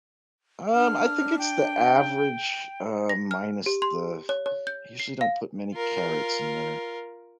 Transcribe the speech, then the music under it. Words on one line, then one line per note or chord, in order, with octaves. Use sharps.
Um, I think it's the average, uh, minus the I usually don't put many carrots in there.
D4 F6
G5
A#6
F6
G4
C6
C#5
C#5
G6
C7
F5
F4 A#4